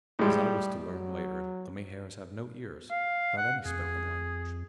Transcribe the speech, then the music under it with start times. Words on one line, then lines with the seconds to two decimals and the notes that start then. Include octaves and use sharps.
As I was to learn later, the Mahars have no ears, not any spoken language.
0.19 A2 G3 G#3
0.90 F#3
2.90 F5
3.37 F#5
3.65 F2 G#4